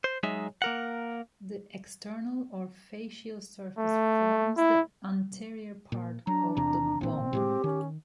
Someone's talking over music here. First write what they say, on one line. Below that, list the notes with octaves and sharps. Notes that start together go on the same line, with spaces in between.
The external or facial surface forms the anterior part of the bone.
C5
F#3 G#3 D#4 E5
A#3 A#4 F#5
A3
E4
A#2
F#3 D4 A#5
E2 C3 A#5
A1 A#2 C4
A2 F#3 G#3 G4
D#3 C#4